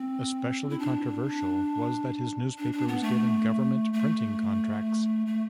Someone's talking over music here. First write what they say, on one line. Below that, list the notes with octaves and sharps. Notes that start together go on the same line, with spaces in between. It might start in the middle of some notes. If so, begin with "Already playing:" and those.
Especially controversial was that his newspaper was given government printing contracts.
Already playing: C4
E4
D4
D4
D4
B3
A3
A3
A3